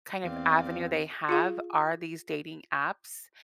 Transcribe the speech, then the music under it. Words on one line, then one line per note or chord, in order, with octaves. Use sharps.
kind of avenue they have are these dating apps,
E2 C4 D5 F5
F4 G#4 F5